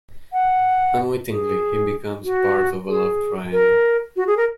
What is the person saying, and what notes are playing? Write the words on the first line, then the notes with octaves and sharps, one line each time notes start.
Unwittingly, he becomes part of a love triangle.
F#5
G#4
F#4
G#4
A#4
F#4
G#4
A#4